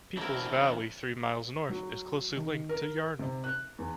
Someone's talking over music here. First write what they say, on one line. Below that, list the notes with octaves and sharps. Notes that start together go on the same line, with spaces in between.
Peeples Valley, three miles north, is closely linked to Yarnell.
E3 C4 D4 E4 A#4
F#3
D#3
A#4
C3
F#6
E2